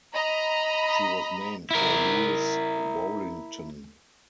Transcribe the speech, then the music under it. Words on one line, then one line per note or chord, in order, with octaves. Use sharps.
She was named for Lewis Warrington.
D#5 A#5 B5
E4 A#4